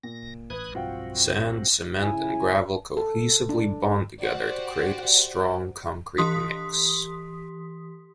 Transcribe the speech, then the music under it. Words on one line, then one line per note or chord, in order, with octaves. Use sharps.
Sand, Cement and Gravel cohesively bond together to create a strong concrete mix.
A#2 A#6
A1 A2 B4 D#6 F#6 G#6
B1 G2 F3 C4 F4 F#4 F#5 G5
C#3 E4 G#5
A4
D4
F#4 G4 C5 D5 F#5
E3 G4 C6 D#6 B6